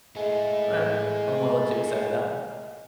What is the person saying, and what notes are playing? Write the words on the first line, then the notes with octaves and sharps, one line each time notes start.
Alright. I'm willing to accept that.
G#3 A3 E4